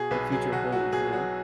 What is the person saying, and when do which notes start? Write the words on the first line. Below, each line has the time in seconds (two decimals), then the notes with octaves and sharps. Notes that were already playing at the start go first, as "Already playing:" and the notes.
the future holds, you know?
Already playing: B2 G#4
0.11 B1 B4
0.31 F#3 G#4
0.52 B1 F#4
0.72 F#3 F#4
0.93 B2 G#4
1.13 F#3 F#4